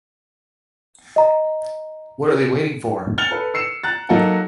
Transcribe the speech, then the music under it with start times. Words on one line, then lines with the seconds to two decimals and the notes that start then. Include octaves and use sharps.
What are they waiting for?
1.16 D#5 A#5
3.18 F6 A6 C#7 F7 G7
3.31 A4 B4
3.54 E6 C7 C#7 E7
3.84 A#5 F#6 A6
4.09 F#3 A#3 D#4 F#4 A4 F#5